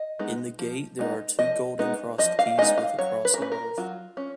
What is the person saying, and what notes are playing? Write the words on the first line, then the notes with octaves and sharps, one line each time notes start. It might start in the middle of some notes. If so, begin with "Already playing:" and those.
In the gate there are two golden crossed keys with a cross above.
Already playing: D#5
G#3 B3 D#4
F3
G#3 B3 D#4
F3 D#5
G#3 B3 D#4
F3 D#5
F5
G#3 B3 D#4 D#5
F5
F#3 C#5
B4
A#4
C#4 B4
A#4
F#3 F4
C#4